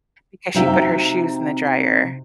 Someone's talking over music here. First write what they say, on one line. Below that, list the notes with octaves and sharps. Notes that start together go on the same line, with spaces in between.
because she put her shoes in the dryer.
C3 D#4 F#4 E5 G5